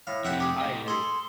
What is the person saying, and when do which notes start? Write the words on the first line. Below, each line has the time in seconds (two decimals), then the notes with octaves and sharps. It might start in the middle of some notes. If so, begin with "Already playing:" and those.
I agree.
0.07 A2 F5
0.25 F2 C3 E5 F#5 G5
0.40 G4 G#4
0.61 A2 D#5
0.88 G#4 A4 C6